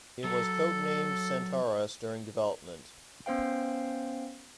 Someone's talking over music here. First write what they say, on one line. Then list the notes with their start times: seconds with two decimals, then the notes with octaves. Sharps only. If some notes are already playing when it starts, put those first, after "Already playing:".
It was code-named "Centaurus" during development.
0.24 F#3 A4
3.26 B3 C#4 C5 F5 G5